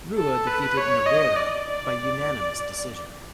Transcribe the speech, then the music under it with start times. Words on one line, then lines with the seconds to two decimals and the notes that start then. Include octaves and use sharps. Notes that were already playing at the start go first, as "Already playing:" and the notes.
Rua defeated Nogueira by unanimous decision.
0.18 A4
0.48 B4
0.77 C#5
1.06 D#5
1.36 D5